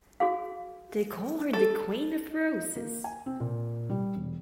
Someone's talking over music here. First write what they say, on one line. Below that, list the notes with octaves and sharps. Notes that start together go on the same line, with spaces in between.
They call her "The Queen Of Roses".
F#4 G#4 F5
A4
A#3
G#5
C4
A#2
G3
E1